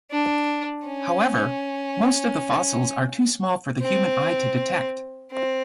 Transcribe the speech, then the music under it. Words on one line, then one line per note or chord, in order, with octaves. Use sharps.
However, most of the fossils are too small for the human eye to detect.
D4
C#4
C4
C4